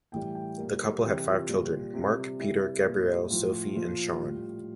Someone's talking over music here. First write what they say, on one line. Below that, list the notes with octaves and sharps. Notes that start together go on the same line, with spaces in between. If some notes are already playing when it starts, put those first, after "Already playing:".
The couple had five children: Mark, Peter, Gabrielle, Sophie and Sean.
A2 E3 G3 G5
G5
A#2 G3 A#4
A4
C3 E3 G3 G4
F4
A#2 G3
C3 G3
C3 G3 E4
A#2 G3
A2 F3 F4
A#2 F3 F4
F4
A2 G3